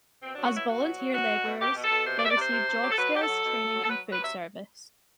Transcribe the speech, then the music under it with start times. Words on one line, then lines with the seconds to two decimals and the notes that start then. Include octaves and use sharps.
As volunteer laborers, they receive job skills training in food service.
0.22 B2 C4
0.34 F#3 D4
0.45 F#4
0.53 B2 E4
0.68 B2 F#4
0.84 F#3
0.99 F#3
1.14 B2 F#4
1.29 B2
1.44 B2
1.60 B2 G4
1.76 B2
1.83 A4
1.90 B2
2.06 C3 C5
2.18 D5
2.21 C3 E5
2.29 D5
2.36 C3 C5
2.51 C3
2.67 C3
2.83 F#3 G4
2.91 A4
2.98 F#3 B4
3.14 F#3 G4
3.21 A4
3.28 F#3
3.44 B2
3.59 F#3
3.74 F#3
3.83 A4
3.89 F#3 B4
4.05 F#3
4.12 B4
4.20 C3 E5